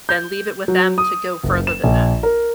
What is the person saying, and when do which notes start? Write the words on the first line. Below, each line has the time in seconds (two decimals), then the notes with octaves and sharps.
then leave it with them to go further than that.
0.09 G6
0.68 F#3
0.98 D#6
1.43 F#1
1.67 E7
1.83 A#1
2.23 A#4